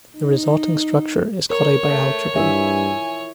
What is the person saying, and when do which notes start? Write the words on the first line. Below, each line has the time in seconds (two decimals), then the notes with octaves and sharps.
The resulting structure is called a bialgebra.
0.16 D#4
1.50 A#4 C#5
1.88 A3
2.36 G2 E4 F4 E5 G#5